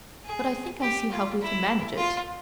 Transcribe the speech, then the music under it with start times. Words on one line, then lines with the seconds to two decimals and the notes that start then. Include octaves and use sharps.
But I think I see how we can manage it.
0.25 G#4
0.82 G4
1.12 F4
1.41 E4
1.97 F4